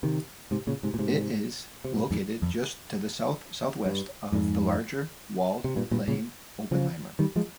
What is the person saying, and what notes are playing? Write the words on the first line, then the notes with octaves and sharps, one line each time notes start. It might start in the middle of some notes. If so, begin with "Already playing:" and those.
It is located just to the south-southwest of the larger walled plain Oppenheimer.
C3 D#3
G#2 C3
A#2 C#3
G#2 C3
A#2
G#2 C3
C3
G2 A#2
F2 G#2
F2
G2
F2 G#2
C3
G2 A#2
G2 A#2
A#2 C#3
C#3 F3
D#3 G3
F3 G#3